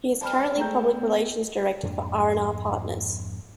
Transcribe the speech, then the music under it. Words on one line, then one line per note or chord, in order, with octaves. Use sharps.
He is currently Public Relations Director for R and R Partners.
F3 G3 C5 A5 B5 F6
G#3 A3 G5 A#5 G6
B3
F2 G#2 A#3 D4